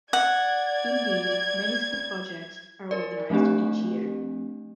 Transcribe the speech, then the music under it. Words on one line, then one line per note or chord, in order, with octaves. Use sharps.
Indeed, many school projects are organized each year.
D5 F#5 G#6
A#4 D5
F3 A3 C4 D4 G4